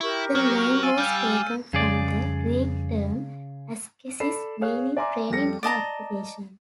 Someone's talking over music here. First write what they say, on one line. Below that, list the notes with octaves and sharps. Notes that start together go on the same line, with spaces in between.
The name was taken from the Greek term "Askesis", meaning 'training' or 'application'.
E4 G4 A#4 C#6
F#3 F6
F5 G#5 E6 A6 D#7
G3 F6 G6
F2 C#3 G3 G#4 D5
A4 D5 B5 C7 E7
G#4 C#5 F5 F#6
D5 E5 G#5 A#5 C6 D6
F2 G3 A4 A#6 C#7
D5 D#5 A5 A#5